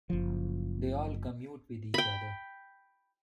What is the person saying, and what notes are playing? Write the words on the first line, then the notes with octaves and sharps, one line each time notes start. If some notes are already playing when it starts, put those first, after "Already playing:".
They all commute with each other.
F#1 F3
G5 B5